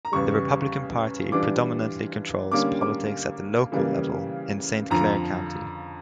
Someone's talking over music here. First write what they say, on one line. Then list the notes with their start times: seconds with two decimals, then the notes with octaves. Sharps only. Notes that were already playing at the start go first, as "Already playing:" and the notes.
The Republican Party predominantly controls politics at the local level in Saint Clair County.
0.05 A#5
0.12 E2 C#3 G3 C#6
1.32 E3 G3 D4 F4 D6
2.52 D3 G3 A#3 C#4 D6
2.81 D6
3.72 C#3 E3 G3 A#3
4.90 F2 D3 F3 A#5